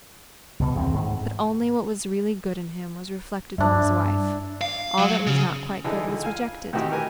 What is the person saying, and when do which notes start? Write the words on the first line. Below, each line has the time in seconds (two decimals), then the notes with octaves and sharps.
But only what was really good in him was reflected in his wife, all that was not quite good was rejected.
0.60 C#2 B2
0.75 E2 D#3 C4
0.94 G#2
3.58 G2 D4 E4
4.61 F5
4.97 F#3
5.27 C#3
5.84 D3 E3 D#4 G#4
6.08 C#2
6.24 F5 G#5
6.73 A2 D#3 E3 C4 F#4 G4
6.91 G4 A#4 B4 G#5